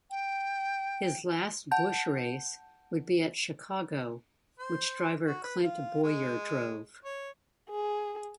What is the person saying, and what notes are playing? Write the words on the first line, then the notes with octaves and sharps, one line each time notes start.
His last Busch race would be at Chicago, which driver Clint Bowyer drove.
G5
F#5 A5 G6
C5
F#4
B4
F4
G#3
C#5
G#4